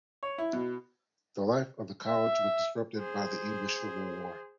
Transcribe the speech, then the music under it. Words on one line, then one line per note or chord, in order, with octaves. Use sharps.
The life of the college was disrupted by the English Civil War.
C#5
E4
B2
E5
G#4 C5